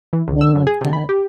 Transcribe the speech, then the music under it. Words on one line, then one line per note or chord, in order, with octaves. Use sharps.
Little of that.
E3
C#2
E6
F#2
G#4
C3
B5
G4